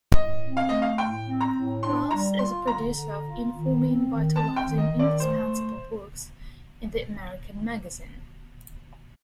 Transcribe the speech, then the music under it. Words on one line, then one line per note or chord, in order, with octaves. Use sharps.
Wells as a producer of "informing, vitalizing, indispensable books" in the "American Magazine".
A2 D#5
C4
F5
A3 D#5
F5
A2 G5
C4
A#5
A2
D4 C6
G3 A#5
F4 C6
D3 A#5
D3
F4
D#3
C4
D#3
C4 A5
G5
D#3
D#5
D#3
D5
A3 C5